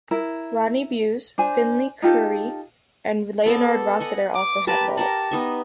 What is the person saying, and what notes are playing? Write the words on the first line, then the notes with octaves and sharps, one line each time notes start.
Rodney Bewes, Finlay Currie, and Leonard Rossiter also had roles.
E4 A#4
D4 C5 G#5
D#4 F4 G4 A4
B3 A4 D5 A5
D#5 F#5 G#5
D6
G4 A#4 B4 A5
G4 A#4 F#5 A5
B3 D#4 E5